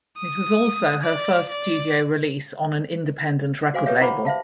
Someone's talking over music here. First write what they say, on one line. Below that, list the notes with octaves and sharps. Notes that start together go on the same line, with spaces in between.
It was also her first studio release on an independent record label.
D#6
D5
D5
F#4 C5 F5 G#5 D6
G4 A4 B4 C#5 E5 F5
E4 C5 F#5 B5 C#6 D6
C5 E5 F5 A5